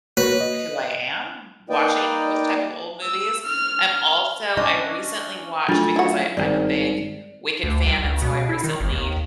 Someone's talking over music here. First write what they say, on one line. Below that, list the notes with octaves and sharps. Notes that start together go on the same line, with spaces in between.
who I am watching those type of old movies. I'm also I recently watched because I I'm a big Wicked fan and so I recently
A#3 F#4 B4 C#5
D#5
A#3 D#4 B4 D5 D#5 G5
E6
F6
C#4 D4 D#5
F#3 A3 D4 F4 A6
E4 F#4
G#1 G2 D#3 D5
D2
C2
C#2
B2
E4
D#3
G1
D#2